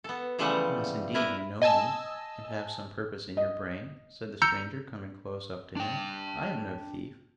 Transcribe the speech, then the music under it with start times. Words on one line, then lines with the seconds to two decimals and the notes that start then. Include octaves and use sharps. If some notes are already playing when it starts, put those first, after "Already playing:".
Unless indeed you know me, and have some purpose in your brain?' said the stranger, coming close up to him. 'I am no thief.'
0.04 B3 A4
0.39 C#3 E3 F3 G3 A3 F#5
1.14 D4 E4 A#4 B4
1.62 D#5 G#5 A5 E6
3.37 D#5
4.42 A#5 E6 G6 C#7
5.77 D4 G5